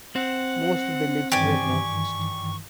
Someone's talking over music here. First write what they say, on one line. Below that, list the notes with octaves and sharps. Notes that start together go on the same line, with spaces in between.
Most of the lips were notched.
C4 F#5
G2 D#3 E3 G4 D5 G#5 C#6